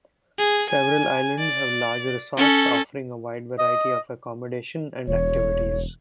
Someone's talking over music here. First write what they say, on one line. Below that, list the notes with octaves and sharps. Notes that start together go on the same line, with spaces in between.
Several islands have large resorts, offering a wide variety of accommodation and activities.
G#4
G#5
D5
C#4 A4
D#5
E1 C#5